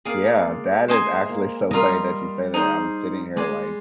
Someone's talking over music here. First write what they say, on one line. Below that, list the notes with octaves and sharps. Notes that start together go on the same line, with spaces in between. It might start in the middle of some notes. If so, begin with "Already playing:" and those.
Yeah. That is actually so funny that you say that. I'm sitting here, like,
A#3 G#4 D5 F5
G#3
G#3 C5 D#5 G#5 C6
A#3
G3 F4 A#4 D#5
D#4 G#4 C5
G#3 D5 G#5 C6